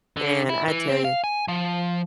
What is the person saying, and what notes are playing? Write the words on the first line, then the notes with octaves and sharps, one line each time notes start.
And I tell ya
D3
E4
E3
C4
F5
G#5
F3